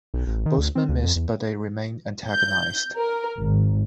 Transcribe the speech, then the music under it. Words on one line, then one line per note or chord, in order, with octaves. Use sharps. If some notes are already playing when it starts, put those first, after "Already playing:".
Both men missed but they remained antagonised.
B1
A1
D#3
D2
C4
D2
F2
E2
G6
A#4
G#1